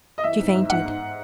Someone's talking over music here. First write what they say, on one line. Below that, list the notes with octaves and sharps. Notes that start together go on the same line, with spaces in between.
She fainted.
D#5
E3 E5
G#2
G#2
G#2 F#5
G#2